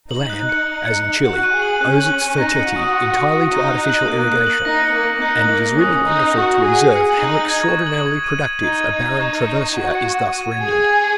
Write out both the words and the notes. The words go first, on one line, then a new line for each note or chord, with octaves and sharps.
The land, as in Chile, owes its fertility entirely to artificial irrigation; and it is really wonderful to observe how extraordinarily productive a barren traversia is thus rendered.
D#4 F#7
F#6
C#7
F#7
C#7
C#7
F#4 F#6
D#7
G#4
F#7
C#4 F#6
F#7
D#7
D#4 A#6
C#7
F#4
D#6
C#7
C#7
C#7
D#4 D#7
F#6
F#7
A#3 F#6
F#6
F#7
D#4 A#6
C#7
A#3
C#7
D#4 F#6
F#7
A#3
F#6
C#4 D#6
D#6
D#4
D#6
F#4 D#6
D#6
G#4
D#7
G#4 C#7
F#7
D#4
F#7
G#6
C#6
F#7
G#6
D#7
G#6
D#4 G#6
D#7
D#4
G#6
C#6
C#7
C#6
F#4 C#6
C#7
C#6
D#7
G#6
G#4
G#6
G#6